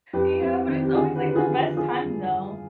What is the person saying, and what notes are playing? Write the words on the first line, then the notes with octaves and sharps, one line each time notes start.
Yeah, but it's always, like, the best time though.
F2 G4 B4
F2 C4
D#3 C4
G4
D3 F4 G#4
G4 B4
D3
B4
F4 G#4
F3
F4 G#4
F3 F4 G#4
G2
G2